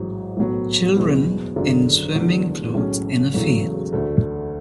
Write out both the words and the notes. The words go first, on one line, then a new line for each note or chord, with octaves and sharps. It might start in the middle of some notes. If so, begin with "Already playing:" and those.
Children in swimming clothes in a field.
Already playing: A1 G#2 F#3
B1 A2 F#3 B3
F#1 E2 B2 G#3 B3
G#1 F#2 D3 G#3
E1 E2 D3
B1 A2 G#3 C#4
E1 E2 C#3 F#3 A3
D2 D3 A3